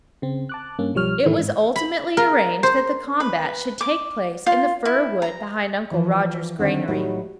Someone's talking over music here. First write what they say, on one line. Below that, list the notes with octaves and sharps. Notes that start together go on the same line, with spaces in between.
It was ultimately arranged that the combat should take place in the fir wood behind Uncle Roger's granary.
C#3 C4
A5 D6 F#6
G2 A#3 C#4
B1 F3 G3 C#5 F6
A2 D#3 E3 A3 E4
G#2
B5
A#4
C5
B4
D6
F4
E4
A#5
E3 F3
D3 D#3 C4
A2 F#3 G3 D#4